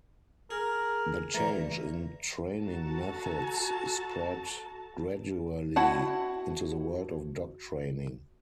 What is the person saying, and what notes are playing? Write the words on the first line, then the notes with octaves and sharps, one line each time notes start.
The change in training methods spread gradually into the world of dog training.
G#4 A#4
D3 E3 A3 A#5
F#4 A4 A5 A#5
E4 F#4 F#5 A5